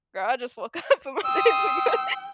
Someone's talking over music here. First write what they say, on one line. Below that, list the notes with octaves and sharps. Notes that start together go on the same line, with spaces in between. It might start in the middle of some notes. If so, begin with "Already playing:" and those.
"Girl, I just woke up and my day is good."
G5 C6 D#6 E6